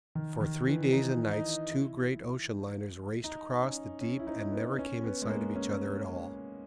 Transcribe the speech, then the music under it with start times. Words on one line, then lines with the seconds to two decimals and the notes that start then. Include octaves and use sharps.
For three days and nights two great ocean liners raced across the deep and never came in sight of each other at all.
0.15 D#3
0.41 D#3
0.67 E3
0.92 D#4
1.31 D#4
1.70 E4
3.24 D#4
3.62 C#4
4.01 C#4
4.19 E4
4.27 D#4
4.52 B3
4.78 C#4
5.04 B3
5.22 G#3
5.30 A#3
5.56 C#4